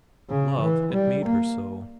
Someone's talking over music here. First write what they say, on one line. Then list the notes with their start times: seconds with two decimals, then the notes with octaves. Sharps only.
Love had made her so.
0.29 C#3
0.61 E3
0.93 G3
1.25 A#3